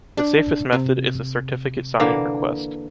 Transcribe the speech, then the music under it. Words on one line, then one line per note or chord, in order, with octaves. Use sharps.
The safest method is a Certificate Signing Request.
D4
C3
D3 E3 A#3